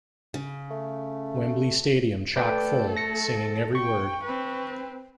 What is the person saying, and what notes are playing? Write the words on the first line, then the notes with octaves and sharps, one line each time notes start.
Wembley Stadium chock full, singing every word.
C#3
A3
A3 A4 B4 D5 G5
A#6 C#7
G5 C#6
C4 B4